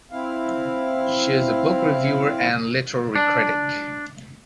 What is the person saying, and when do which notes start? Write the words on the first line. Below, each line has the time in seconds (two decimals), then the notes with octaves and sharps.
She is a book reviewer and literary critic.
0.11 C4 E4 F5
3.15 D4